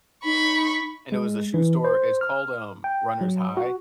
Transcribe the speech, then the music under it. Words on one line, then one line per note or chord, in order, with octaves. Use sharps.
and it was a shoe store, it's called, um, Runner's High,
D#4 B5 C#6
G#3
E3
C5
F6
G5
F#3
F#4